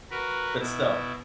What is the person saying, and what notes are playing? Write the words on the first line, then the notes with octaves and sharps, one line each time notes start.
but still.
F#4 A#4 B4
B2 E4